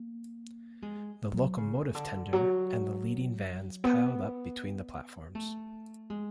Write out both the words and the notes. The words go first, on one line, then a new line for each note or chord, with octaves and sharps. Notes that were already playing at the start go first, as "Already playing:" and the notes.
The locomotive tender and the leading vans piled up between the platforms.
Already playing: A#3
G#3
F#3
C#3
D3
F#3
B3
A3
G#3